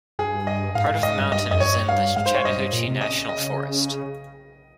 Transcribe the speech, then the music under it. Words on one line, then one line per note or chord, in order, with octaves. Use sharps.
Part of the mountain is in the Chattahoochee National Forest.
G2 G#4
D#5
G#2 F5
G#2
G#2 D#5
G2
G2 D#5
F2 D#5
G2 C#5
F5
G#2 F5
C5
C#5
G2 D#5
G2
A#2
C3
C#3 D#5
D#5